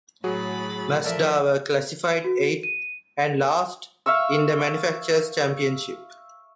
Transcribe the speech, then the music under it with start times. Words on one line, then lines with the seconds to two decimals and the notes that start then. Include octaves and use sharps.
Mazda were classified eighth, and last, in the manufacturer's championship.
0.24 A2 F#3 F#4 G#4 B5 A6
1.04 F3 A4 A#4 D5 E5
2.24 F#4
2.63 D#7
4.06 E5 F5 C#6 E6